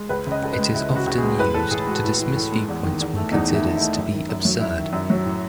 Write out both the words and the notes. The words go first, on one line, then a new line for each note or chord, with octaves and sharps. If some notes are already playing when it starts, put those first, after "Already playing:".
It is often used to dismiss viewpoints one considers to be absurd.
Already playing: G#3
C#2 B4
C#3
D#5
C#2 A4
B4
G#3
C#2 E4
C#3
F#4
C#2 F#4
G#3 G#4
A2 B4
E3 A4
A2 G#4
G#3 F#4
A2
E3
A2
G#3
E2
D#3
E2
A3
E2 D#4
D#3
E4
E2
A3 E4
F#2
D#3
F#2
F#3
F#2 E4
D#3
F#2
F#3
A2